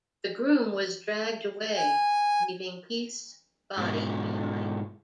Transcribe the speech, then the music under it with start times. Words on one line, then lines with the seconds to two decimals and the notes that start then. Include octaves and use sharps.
The groom was dragged away, leaving Keith's body behind.
1.78 G#5
3.78 G#2 B2